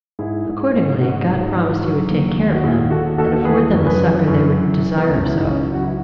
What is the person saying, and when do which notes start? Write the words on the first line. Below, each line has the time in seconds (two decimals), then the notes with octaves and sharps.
Accordingly God promised he would take care of them, and afford them the succor they were desirous of.
0.19 G#2 E4 G#4
0.46 G#2
0.74 G#2
1.00 G#2 D#4 F#4
1.27 G#2
1.54 E3
1.82 F#3
2.09 D#2
2.36 D#2
2.55 F#4
2.64 D#2 E4 G#4
2.91 D#2 F#4 A4
3.18 D#2 F#4 A4
3.45 E3 G#4 B4
3.73 F#2
3.86 G#4 B4
4.00 E3
4.28 F#2
4.54 E3
4.81 E3
4.98 B3
5.08 C#2 C#4
5.26 E4
5.36 C#2 D#4
5.49 C#4
5.64 F#3
5.74 F#4
5.83 E4